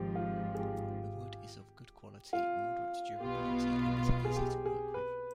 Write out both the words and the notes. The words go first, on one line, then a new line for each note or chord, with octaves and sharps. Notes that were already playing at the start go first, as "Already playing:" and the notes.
The wood is of good quality, moderate durability, and is easy to work with.
Already playing: G#1 G#2 F3 G4
F4
G#4
G4
F4
B1 B2 B3 F4 G4
G#4
G4
G#4
B4